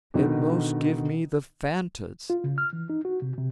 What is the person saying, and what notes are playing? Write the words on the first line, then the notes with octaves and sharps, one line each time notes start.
It most give me the fan-tods.
B2 D3 D#3 D#4
F4
C#3
F6
E3
D#4
F#4
C3
C3